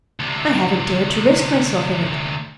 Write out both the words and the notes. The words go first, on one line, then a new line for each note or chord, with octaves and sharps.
I haven't dared to risk myself in it.
D2 C3